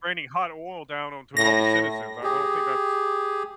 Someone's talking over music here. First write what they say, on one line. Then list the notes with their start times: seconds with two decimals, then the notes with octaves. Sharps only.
raining hot oil down onto all the citizens. I I don't think that's
1.37 A2 A#6
2.23 G4 G#4